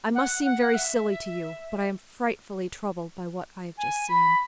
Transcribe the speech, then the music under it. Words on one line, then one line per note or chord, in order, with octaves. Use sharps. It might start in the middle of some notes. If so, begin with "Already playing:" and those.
"I must seem very silly to you, but I am frightfully troubled by what I have just seen."
F#5
F#5
E5
G#5
B5